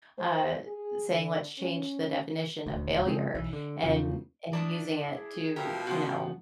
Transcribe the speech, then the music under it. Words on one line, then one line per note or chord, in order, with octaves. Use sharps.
uh, saying, "Let's change the definition of failure," and and using it to, you know
C5
G#4
D3
C#4
D#1 D2
C#3 F3 G#3 C4
B1 E3
D3
E2 C#3 F3
D4 E4 D5 A5 C#6 D#6
G#4
B2 F3 G4 A#4 E5
C#3 B3 F#4 G4 C6